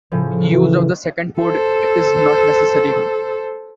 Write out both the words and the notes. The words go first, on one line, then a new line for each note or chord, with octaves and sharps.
Use of the second port is not necessary.
A2 C#3 F3
E3
A4 C5